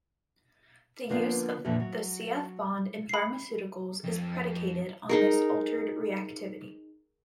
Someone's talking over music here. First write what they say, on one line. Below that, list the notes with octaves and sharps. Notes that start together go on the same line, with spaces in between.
The use of the C-F bond in pharmaceuticals is predicated on this altered reactivity.
D3 F3 A#3 B3 F4
F2 A#2 D3 E3 F3
F#3
B5 C7
F2
D#4 G#4 A#4